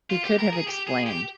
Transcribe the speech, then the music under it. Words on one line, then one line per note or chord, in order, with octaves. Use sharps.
He could have explained.
F4
G4
A#4
G#4
G4
G#4
G4